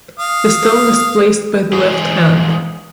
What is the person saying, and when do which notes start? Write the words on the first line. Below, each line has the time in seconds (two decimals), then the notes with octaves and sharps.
The stone is placed by the left hand.
0.19 F5 D#6
1.73 E3 G#3 G#4 C5